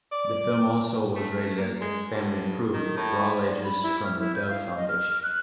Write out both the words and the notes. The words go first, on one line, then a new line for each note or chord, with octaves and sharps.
The film also was rated as "Family-Approved" for all ages from the Dove Foundation.
D5
A3
A#3
G#3
G2
D#3
A2
D5
B5
E4
F6
E4
G6
F5
D#5
F6
F6
F#6